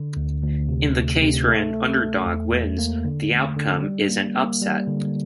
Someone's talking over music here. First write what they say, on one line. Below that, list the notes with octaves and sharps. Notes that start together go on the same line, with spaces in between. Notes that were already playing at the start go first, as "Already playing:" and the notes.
In the case where an underdog wins, the outcome is an upset.
Already playing: D3
D2
D2
C3
A3
C3
A3
A3
A3
E2
E2
A#3
D3
A3
D3
G3
A#3
A#3
G3
D3